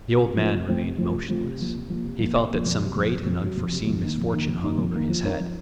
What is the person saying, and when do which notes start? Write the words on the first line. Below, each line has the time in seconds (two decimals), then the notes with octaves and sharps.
The old man remained motionless; he felt that some great and unforeseen misfortune hung over his head.
0.22 C3
0.37 F3 A3 C4 F4
0.53 C3
0.67 F3 A3 C4 F4
0.83 C3
0.98 F3 A3 C4 F4
1.13 C3
1.29 F3 A3 C4 F4
1.44 C3
1.59 F3 A#3
1.74 C3
1.90 F3 A#3
2.04 C3
2.20 F3 A#3
2.35 C3
2.51 F3 A#3
2.65 F2
2.81 C3 F#3
2.96 F2
3.11 C3 F#3
3.26 F2
3.42 C3 F#3
3.57 F2
3.72 C3 F#3
3.87 F2
4.02 D#3 A#3 D#4
4.17 F2
4.33 D#3 A#3 D#4
4.49 F2
4.63 D#3 A#3 D#4
4.78 F2
4.94 D#3 A#3 D#4
5.09 F3
5.24 C4 D#4 A#4 C#5
5.40 F3